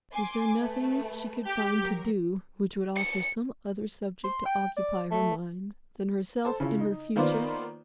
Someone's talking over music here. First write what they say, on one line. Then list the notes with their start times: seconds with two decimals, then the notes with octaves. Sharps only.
Was there nothing she could find to do which would offer some other subject to occupy her mind than herself and her future?
0.13 G#5 C6 D6
0.58 A3 G#4 B4
1.45 G4 G6
1.79 F#3 A#4
2.96 C#7
4.24 C6
4.46 G5
4.77 D5
5.11 A3
6.45 A4 C5 A5
6.60 C#3 E4 F4
6.80 D#4
7.16 D#3 A#3 B3 F4 C5 D5